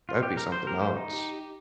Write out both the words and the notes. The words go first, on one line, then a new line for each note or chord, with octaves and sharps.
that'd be something else.
F4
G4
A#4
C5
G4 A#4
C5
D#4
G4